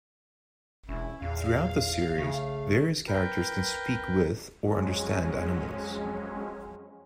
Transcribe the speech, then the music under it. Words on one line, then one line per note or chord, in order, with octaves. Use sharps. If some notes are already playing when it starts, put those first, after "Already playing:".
Throughout the series, various characters can speak with or understand animals.
E1 C#4 E4
E2 A#2 F5
C#3 A3
A#4 B4 G5
F2 F#3 G#3 C#4